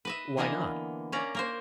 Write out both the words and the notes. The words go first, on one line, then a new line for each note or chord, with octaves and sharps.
"Why not?"
B4 D#5 E5
D3 E3 A#3 B3 D#5
A#3 C#4 D5 A#5
A#3 A#4 C5